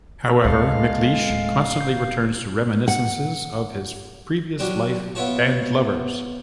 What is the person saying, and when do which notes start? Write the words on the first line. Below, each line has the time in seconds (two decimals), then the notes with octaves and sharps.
However, McLeish constantly returns to reminiscences of his previous life and lovers.
0.44 D2 C3 G#3 A4 F5
1.30 D1
1.81 G6
2.88 F#5
4.59 F#3 G3 D4
5.15 B3 E4 F4 C#5 A5